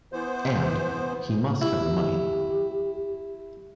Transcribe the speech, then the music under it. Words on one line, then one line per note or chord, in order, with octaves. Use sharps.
And — he must have the money.
E3 B3 C5
E4 G4